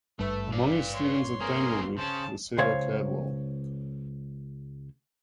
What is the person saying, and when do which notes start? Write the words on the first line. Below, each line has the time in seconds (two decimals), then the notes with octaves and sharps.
Among his students at Tanglewood were Sarah Caldwell.
0.19 G#1 G2 A3 B4
0.53 D5 F5
0.92 C#5 C6
1.41 A#3 C4 G#4 A#4 G#5
1.98 C#3 C#4 C5 A5
2.58 C#2 C5 C#5 F5